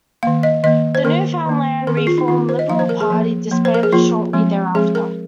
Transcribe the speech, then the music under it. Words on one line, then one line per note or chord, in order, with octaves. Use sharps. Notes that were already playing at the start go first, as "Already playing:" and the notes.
The Newfoundland Reform Liberal Party disbanded shortly thereafter.
D#3 A#3 F5
D#5
D#3 A#3 D#5
C5
D#3 A#3 A#4
D#3 A#3
D#3 C4 A#4
G#4
F4
D#4
D#3 C4 F4
C5
D#5
F3 A#3 F5
C5
A#4
G#4
F3 A#3
F3 A#3
C5
A#4
G#4
F3 A#3 F4
F3 G#3 C4
F3 G#3 C4 G#4
A#4